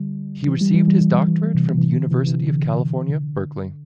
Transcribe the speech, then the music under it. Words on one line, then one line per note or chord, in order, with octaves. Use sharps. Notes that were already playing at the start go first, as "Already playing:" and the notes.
He received his doctorate from the University of California, Berkeley.
Already playing: D3 G3
E3
G3
E3
G3
E3
G3
E3
G3
C3 E3
C3 E3
D3
C3 E3
C3 E3
D3
D3